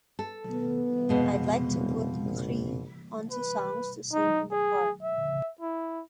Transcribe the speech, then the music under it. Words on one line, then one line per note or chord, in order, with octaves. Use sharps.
I'd like to put qriii onto songs to sing in the car.
A4
B3
F2 B2 G#3
D#1
A#1
B4
D#4
G#4
E5
E4